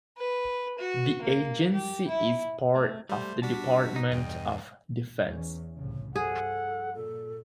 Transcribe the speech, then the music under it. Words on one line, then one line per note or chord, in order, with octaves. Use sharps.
The agency is part of the Department of Defense.
B4
F#4
A#3
G4
E4
A3
G3 A3 C5
G3 D4 F#4 A5 B6
D#4
E2 G2 D#5 G5
E2 E3 C#4
C2 A2 C#3
G2 F3 G#4 A4 F#5
A#2 A4